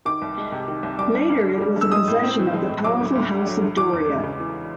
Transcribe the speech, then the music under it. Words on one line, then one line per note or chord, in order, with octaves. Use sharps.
Later it was a possession of the powerful House of Doria.
D#3 D6
C2
G#3
C3
D#3
C2
G3 D6
G2
G2
D3
G3
G2
E6
G#3 D#6
A2
C4
E3
G#3
A2
F#3 D6
D2
D2
D3
F#3
D2
E3 D6
E2
G#3
C#3
E3